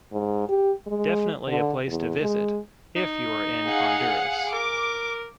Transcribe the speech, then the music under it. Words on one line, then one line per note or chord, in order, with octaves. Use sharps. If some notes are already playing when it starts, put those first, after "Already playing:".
Definitely a place to visit if you are in Honduras.
G#2
G4
G#3
D3
E2
G#3
D#4
G#4 F5 F#5
A#4 D6